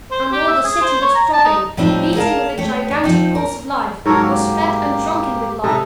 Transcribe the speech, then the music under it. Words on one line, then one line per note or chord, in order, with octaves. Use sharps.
And all the City was throbbing, beating with a gigantic pulse of life--was fed and drunken with life.
C5
G4
E5
G#4
C5
C#5
A#5
A5
D#4
A2 F3 G3 C4 D#4
G#4 A#4 F5 A5
A3 G4 C#5
D4
F3 C4 D#4
A#4
G#2 F#3 A4 A#4 C#5
A#3 G4
C3 D#4 A4 D#5 E5